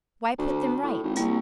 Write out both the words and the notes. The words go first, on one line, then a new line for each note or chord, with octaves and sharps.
Why put them right?
D2
A2
G#1
C2 G3 A#3